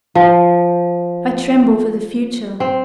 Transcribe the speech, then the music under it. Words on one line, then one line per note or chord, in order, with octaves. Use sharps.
I tremble for the future.
F3
C4